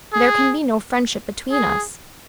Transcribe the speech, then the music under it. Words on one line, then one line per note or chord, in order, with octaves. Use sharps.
There can be no friendship between us.
G#4
G#4